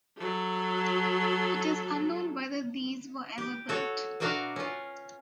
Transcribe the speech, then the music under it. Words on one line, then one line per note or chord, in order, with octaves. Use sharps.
It is unknown whether these were ever built.
F#3 A4
G4
F#4 A4 C#5
B2 D4 F#4 E5 F5 A#5
C#4 F4